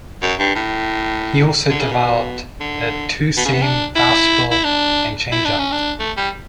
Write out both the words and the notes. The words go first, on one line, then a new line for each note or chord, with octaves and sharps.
He also developed a two-seam fastball and changeup.
F#2
G2
A2
D3
C#3
B2
D3
B2
C#3
B3
D4
E4
E4
D4
E4
D4
C#4
D4
A3
G3